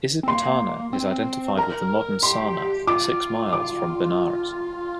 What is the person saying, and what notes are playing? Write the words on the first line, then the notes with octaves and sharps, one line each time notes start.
Isipatana is identified with the modern Sarnath, six miles from Benares.
C4
A#3 C6
C4
A#4 A#5
G4 C6
F4 D6
D6